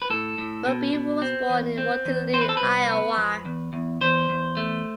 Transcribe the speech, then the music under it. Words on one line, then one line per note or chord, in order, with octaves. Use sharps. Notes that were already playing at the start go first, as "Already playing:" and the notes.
Roby was born in Waterloo, Iowa.
B4
A2 A4
A2
B2
B2
C4
E2
C4
E2
C4 C5
B4
A4
C2 B4
B3
F2
E2
E2
E2 C5
E2
A3